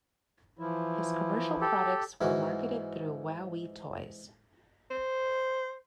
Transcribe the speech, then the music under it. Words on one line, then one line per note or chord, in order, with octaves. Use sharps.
His commercial products are marketed through WowWee Toys.
E3 F3 E4
G4 A4
G#2 E3 C#4 F#4
C5